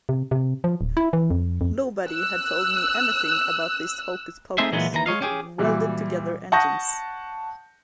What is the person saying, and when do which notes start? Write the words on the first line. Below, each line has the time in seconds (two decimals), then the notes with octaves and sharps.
Nobody had told me anything about this hocus-pocus with welded-together engines.
0.09 C3
0.31 C3
0.64 F3
0.81 D1
0.97 E4
1.13 E3
1.31 F2
1.61 F2
2.07 E6 F#6
4.58 A3 C4 D#4 G#4 C5 E5
4.72 A#2 E3 F#3 G#3 B3
4.93 D#2 E3 A#5
5.06 G#3 C#5 D#5 F5
5.21 C#4 G4 G#4
5.58 A#2 E3 F#3 G3
6.52 F#5 A5 C#6 D#6 G6 A#6